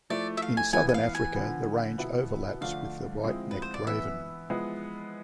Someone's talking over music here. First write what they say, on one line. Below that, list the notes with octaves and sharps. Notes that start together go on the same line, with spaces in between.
In southern Africa the range overlaps with the white-necked raven.
F3 A3 E4 D5
E5
F5
G#5
E3 B3 E4 G#5
G#5
F5
G#5
D3 F3 B3
B2 B3 E4
D3 F3 A3 D4 F5
F3 G#3 C4 E4
B4
C5
D5
E3 B3 E4 E5
F3 G#3 B3 E4